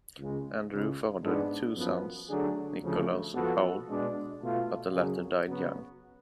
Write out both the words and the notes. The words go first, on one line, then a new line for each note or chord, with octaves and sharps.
Andrew fathered two sons, Nicholas and Paul, but the latter died young.
C#2 C#3 G#3
C#2 C#3 G#3
G#2 G#3 B3 D4
F#2 F3 B3
D3 F#3 A3 D4 G#4
D2 C#3 F3 A3
F3 B3 F#4 A4
B2 G#3 D4
B2 A3 F4
F#2 C#3 F#3 C#4 G#4
C#3 F#3 B3 F#4